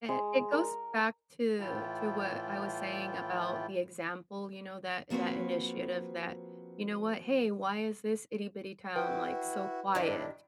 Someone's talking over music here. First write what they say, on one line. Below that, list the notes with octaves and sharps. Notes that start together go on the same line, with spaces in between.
It it goes back to to what I was saying about the example, you know, that that initiative that, "You know what, hey, why is this itty-bitty town, like, so quiet?"
G#3
A#4
A2 E3 E4 F4 G5 A5
F3 A#3 C4 F#4 B4
E4 F#4 B4 G5
G2 D#3 D4 E4